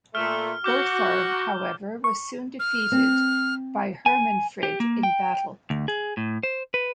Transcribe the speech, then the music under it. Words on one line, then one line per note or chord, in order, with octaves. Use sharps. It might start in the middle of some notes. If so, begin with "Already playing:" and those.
Berthar, however, was soon defeated by Hermanfrid in battle.
A#2 A3 F6
F#4 D6 G6 G7
C#6
F6
C4
G#5
G4
A#3
G5
D2
G#4
A2
C5
B4